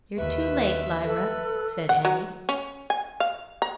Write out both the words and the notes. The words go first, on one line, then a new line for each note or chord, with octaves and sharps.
"You're too late, Lyra," said Annie.
D#2 B4 E5
A4 B4
F#5
F#3
C#4
G#5
F5
A#5